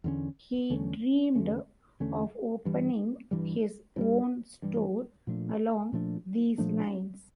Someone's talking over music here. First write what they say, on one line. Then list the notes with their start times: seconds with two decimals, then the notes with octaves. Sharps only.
He dreamed of opening his own store along these lines.
0.04 E2 D3 A3 C#4
0.70 E2 D3 A3 C#4
1.35 E2 D3 A3 C#4
2.00 E2 D3 A3 C#4
2.65 G2 E3 G3
3.31 G2 E3 G3
3.96 G2 E3
4.01 G3
4.62 G2 E3 G3
5.27 A#2 F3 A3 D4
5.92 A#2 F3 A3 D4
6.58 A#2 F3 A3 D4